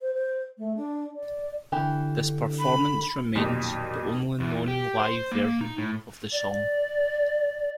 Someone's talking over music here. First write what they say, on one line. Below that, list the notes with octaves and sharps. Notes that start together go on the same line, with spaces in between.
This performance remains the only known live version of the song.
C5
C5
A3
D4
D5
D3 E3 G4
B5
B1 F2 A#2 D#3 G4 B6
E2
G4
C5
A#3
D#4
A2
D5